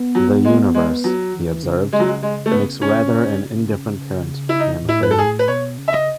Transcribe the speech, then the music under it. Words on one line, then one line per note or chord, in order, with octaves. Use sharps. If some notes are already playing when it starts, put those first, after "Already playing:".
"The universe," he observed, "makes rather an indifferent parent, I am afraid."
Already playing: B3
F#3
G#3
G#3
F#3
E3
C#3
C#3 G#3
F#3
G#3
G#3
A3
B3
C#4
E4
D#4
A2
E4
G#2 B4
A4
G#4
A2
B4
B2 C#5
C#3
E5
D#5